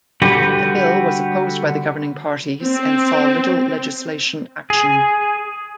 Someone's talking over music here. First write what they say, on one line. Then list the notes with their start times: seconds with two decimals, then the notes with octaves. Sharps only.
The bill was opposed by the governing parties and saw little legislation action.
0.22 D3 G3 F#4 G4 B4
2.64 C4
4.70 G#4